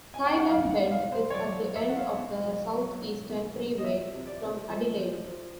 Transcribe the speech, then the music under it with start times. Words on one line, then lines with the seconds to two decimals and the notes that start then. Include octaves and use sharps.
Tailem Bend is at the end of the South Eastern Freeway from Adelaide.
0.14 G#5
0.27 G5
0.38 F#5
0.49 F#3 F5
0.71 F#5
0.78 B2
0.91 F5
1.06 B2
1.12 C5
1.30 C#5
1.33 F#3 D5
1.62 F#3
1.76 E5
1.89 B2 F#5
1.97 F5
2.17 B2
2.45 F#3
2.73 F#3
3.02 B2
3.29 B2
3.57 F#3
3.78 D#5
3.85 F3 E5
4.13 C3
4.27 D5
4.42 C3
4.69 F3
4.97 F3
5.25 F3